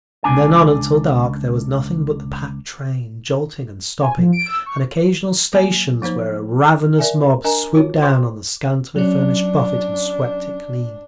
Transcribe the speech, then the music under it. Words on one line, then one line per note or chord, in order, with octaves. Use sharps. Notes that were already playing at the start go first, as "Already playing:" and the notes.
From then on until dark there was nothing but the packed train, jolting and stopping, and occasional stations where a ravenous mob swooped down on the scantily-furnished buffet and swept it clean....
C#2 D4 G#5
G#5
F3
D7
E6
C#6
F#3 A#3 G#5
F3 A#3 D#4 C5
A#4 D5 E5 G#5
D4 A#4 D#5 G#5 A#5
F4 F#4 C#5
C5 G5 C6 D6
F#3 C#4 D4